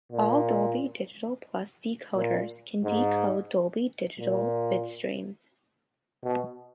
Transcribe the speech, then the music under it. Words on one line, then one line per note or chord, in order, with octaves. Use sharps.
All Dolby Digital Plus decoders can decode Dolby Digital bitstreams.
A#2
A#2
G#2
A#2
B2